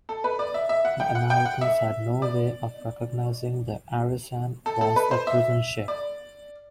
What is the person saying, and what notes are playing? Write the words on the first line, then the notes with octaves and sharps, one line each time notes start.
The Americans had no way of recognizing the "Arisan" was a prison ship.
A4
B4
D5
E5
E5
F#5
G5
F#5
G5
F#5
E5
D5
A4
A4
B4
C5
E5
D5